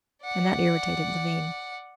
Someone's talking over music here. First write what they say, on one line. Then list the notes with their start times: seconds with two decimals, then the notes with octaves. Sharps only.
And that irritated Levin.
0.23 D5 F#5